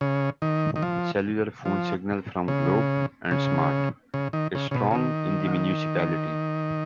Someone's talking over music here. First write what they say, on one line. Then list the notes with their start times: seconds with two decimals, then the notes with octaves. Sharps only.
Cellular phone signal from Globe and Smart is strong in the municipality.
0.01 C#3
0.42 D#3
0.76 D#3
0.82 F3
1.65 F3
2.48 C#3
3.31 C#3
4.14 C#3
4.33 D#3
4.55 C#3
4.71 C#3
4.74 B2
4.91 C#3
4.95 D#3